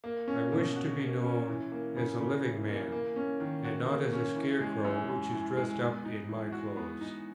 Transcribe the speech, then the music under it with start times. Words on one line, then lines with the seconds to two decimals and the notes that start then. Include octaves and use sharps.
I wish to be known as a living man, and not as a scarecrow which is dressed up in my clothes.
0.04 A#3
0.28 C#4
0.52 B2
0.76 F#4
1.00 A#3
1.24 C#4
1.48 E3
1.72 A#3
1.96 C#3
2.20 C#3
2.45 E3
2.68 A#3
2.92 A#3
3.16 C#4
3.40 D#3
3.65 F#4
3.88 A#3
4.13 C#4
4.36 E3
4.61 G#3
4.84 F#2
5.09 F#2
5.33 E3
5.57 G#3
5.81 B3
6.05 D#4
6.29 E3
6.52 F#4
6.77 B3
7.01 D#4